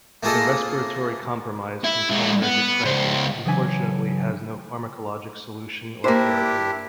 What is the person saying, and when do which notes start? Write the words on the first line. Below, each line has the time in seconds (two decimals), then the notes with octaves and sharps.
The respiratory compromise from cholinergic crisis unfortunately has no pharmacologic solution or therapy.
0.23 A3 A#3 F4 G#4 A4 D#5
1.84 E4
2.10 G#3 E4
2.42 B3
2.85 C#2 C5
3.45 C#3 E3 F#3 D4 G#5 B6
6.04 A#3 D4 E4 G4 C5